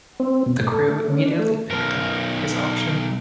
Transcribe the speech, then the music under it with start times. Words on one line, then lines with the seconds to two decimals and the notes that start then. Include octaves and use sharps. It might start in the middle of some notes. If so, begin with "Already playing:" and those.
The Crew immediately picked up his option.
0.20 C4
0.46 B2
0.60 A2
0.71 A4
0.90 A3
1.10 C#4
1.25 D4
1.39 A3
1.71 B1 A#4